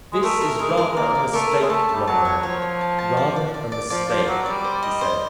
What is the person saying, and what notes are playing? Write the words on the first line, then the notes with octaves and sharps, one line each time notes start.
"This is rather a mistake, Romarin--rather a mistake," he said.
G#3
A3 A#4
A#4
G#3 A#4
A#4
A#3 D5
D5
A3 A#4
A#4
G#3
A3 A5
A5
G3
F#3 A5
C#5
F#3
F3 C#5
C#5
A5
A5
D5
D5
D5
D5
F3 D5
F3 D5
F#3 D5
G3 D5
C5
D#5
C5